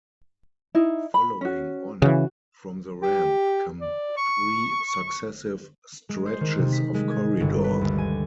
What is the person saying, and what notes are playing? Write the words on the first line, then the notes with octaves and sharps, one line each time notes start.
Following on from the ramp come three successive stretches of corridor.
D#4 E4
B5
C#4 F#4
C#3 E3 F#4
G4
D5
C#6
G#3
C5
D#3
C3
B6
G#3
G#6
G1
B4
D2
G#5